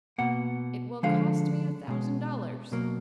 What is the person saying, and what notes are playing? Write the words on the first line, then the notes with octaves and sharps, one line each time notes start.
It will cost me a thousand dollars.
B2 A#3 F#5
D3 F3 G#3 F5
B2 G#3
B2 F#3 A#3